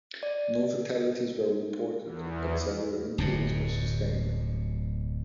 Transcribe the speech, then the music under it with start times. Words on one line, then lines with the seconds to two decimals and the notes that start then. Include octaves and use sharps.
No fatalities were reported but several injuries were sustained.
0.23 D5
2.04 E2
3.18 D1 F#2 B2